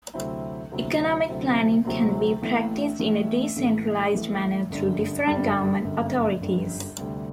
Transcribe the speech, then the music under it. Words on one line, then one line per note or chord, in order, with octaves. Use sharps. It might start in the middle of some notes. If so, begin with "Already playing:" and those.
Economic planning can be practiced in a decentralized manner through different government authorities.
D2 C3 F#3 C4 E4
D2 C3 F#3 C4 E4
D2 C3 F#3 C4 E4
D2 C3 F#3 C4 E4
A1 A2 E3 A3
A1 A2 E3 A3
A1 A2 E3 A3
A1 A2 E3 A3
G1 F#2 D3 G3
G1 F#2 D3 G3
G1 F#2 D3 G3
G1 F#2 D3 G3
D2 C3 G3